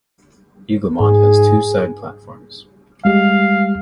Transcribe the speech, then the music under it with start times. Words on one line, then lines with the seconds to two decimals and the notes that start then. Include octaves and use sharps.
Eaglemont has two side platforms.
1.00 G#2 G#4
3.05 G3 G#3 G4 F5